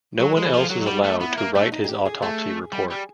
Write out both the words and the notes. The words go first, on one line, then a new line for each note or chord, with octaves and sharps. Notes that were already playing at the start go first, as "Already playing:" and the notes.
No one else is allowed to write his autopsy report.
F#3 A4
G#3 A#4
E3 A4
F3 G#4
F#3 G4
F#3
G3 F#4
A3
B3 E4
A#3
A3 D4
D#4
G#4
G4
G#4
A3 G#4
G3
G3